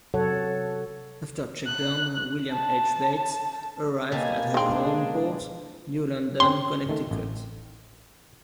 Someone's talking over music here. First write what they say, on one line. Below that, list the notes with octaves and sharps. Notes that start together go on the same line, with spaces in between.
After shakedown, "William H. Bates" arrived at her home port, New London, Connecticut.
C3 F#3 A4 C#5 F#5
F#6
A5
B2 A#3 G4 G#5 A5
D#3 G#3 C4 D4 G#4
C4 C#4 G4 C6
D#3 A3
A1